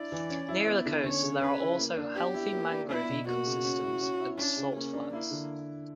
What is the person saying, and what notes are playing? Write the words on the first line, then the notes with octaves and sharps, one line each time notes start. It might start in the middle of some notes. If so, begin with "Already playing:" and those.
Nearer the coast there are also healthy mangrove ecosystems and salt flats.
Already playing: D4 E4 D5
E3
C#4
E4
B3
D3
C#4 C#5
C#3
C#4 B4
E4
A#3
D4
B3 G4
E4
A#3
D4
B3 E4
B2
A#3 F#4
C#3
C#4
E4
C#4
E4
C#4 D4
C#3
A#3 C#4
D4
A#3 E4
D3